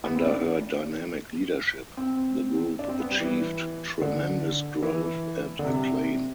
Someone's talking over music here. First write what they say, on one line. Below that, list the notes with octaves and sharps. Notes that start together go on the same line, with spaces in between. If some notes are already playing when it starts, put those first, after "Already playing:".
Under her dynamic leadership, the group achieved tremendous growth and acclaim.
B3
C4
D4
C4
D4
C4
B3
G3
E3
D3
E3
D3
C3